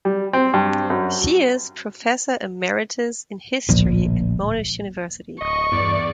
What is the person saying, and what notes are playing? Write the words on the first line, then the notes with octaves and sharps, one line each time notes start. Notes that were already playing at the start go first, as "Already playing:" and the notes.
She is professor emeritus in history at Monash University.
G3
C4
G2
F#2
D1 A#1
D1 D#5 C#6
E2 G2 D5